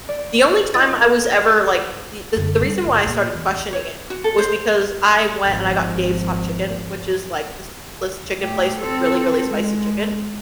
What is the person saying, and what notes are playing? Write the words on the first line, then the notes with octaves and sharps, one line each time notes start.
The only time I was ever like the the the reason why I started questioning it, was because I went and I got Dave's Hot Chicken, which is like this this chicken place with really, really spicy chicken,
D5
D#4 F4 D#5 A6
F#2 D3
G3 D4
F#1
A#2
E2
C#5
F#4
A4
C5
G#1 F3
A2 G4
C4 A4
G#3